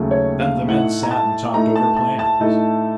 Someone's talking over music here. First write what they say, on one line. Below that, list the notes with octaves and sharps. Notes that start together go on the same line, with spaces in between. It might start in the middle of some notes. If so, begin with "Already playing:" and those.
Then the men sat and talked over plans.
Already playing: D#2 C#3 F#3 A3
C#5
F5
A2 A3 D#4 F#5
A#5
A5
A2 A3 D#4 A#5
A5
A5
A5
A2 A3 D#4